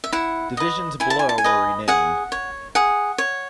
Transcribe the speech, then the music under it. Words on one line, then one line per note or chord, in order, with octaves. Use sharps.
Divisions below were renamed.
E5
E4 F#5
B4 D#5
E4 G#5
A5
G#5
A5
G#5
B4 D#5
G#4 F#5
C#5
G#4 F#5
C#5